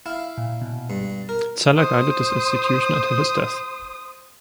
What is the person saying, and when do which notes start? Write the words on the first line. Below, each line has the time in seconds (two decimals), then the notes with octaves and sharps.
Zeller guided this institution until his death.
0.06 E4 F5
0.38 A#2
0.62 B2
0.90 G2
1.29 A#4
1.76 C5 D#6